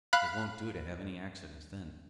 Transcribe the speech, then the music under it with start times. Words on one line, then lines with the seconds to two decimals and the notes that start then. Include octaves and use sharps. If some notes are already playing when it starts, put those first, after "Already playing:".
It won't do to have any accidents then.
0.13 F5 B5 F#6